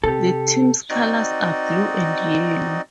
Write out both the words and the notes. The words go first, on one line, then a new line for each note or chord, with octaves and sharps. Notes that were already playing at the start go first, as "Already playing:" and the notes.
The team's colors are blue and yellow.
C3 G4 A4
C4 D#4 F#4 D5 D#5